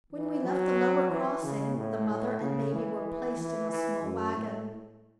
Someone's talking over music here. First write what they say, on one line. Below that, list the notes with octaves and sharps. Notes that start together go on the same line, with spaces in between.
When we left the lower crossing, the mother and baby were placed in a small wagon.
E3
F#3
E3
C#3
A2
A2
C#3
E3
E3
E3
E3
F#2
A2